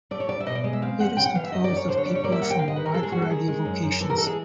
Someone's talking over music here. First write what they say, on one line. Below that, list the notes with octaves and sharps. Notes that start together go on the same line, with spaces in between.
It is composed of people from a wide variety of vocations.
A3 D5
C#5
D2 D5
E5
B2 D#5
D5
G#3 D#5
E5
C4 F5
E2 F#5
C#3 G5
F#5
E3 F5
E5
F#2 D#5
D5
F#2
C#5
D3 C5
C#5
G3 D5
C#5
A#3 D5
E5
D#2 F#5
G5
C3 F5
D#5
D#3 B4
A#4
G#3 A4
G#4
E2 F#4
A4
D#3 G#4
G#3
F#2
F#2
E3 A4
A#4
G#3 A4
G#4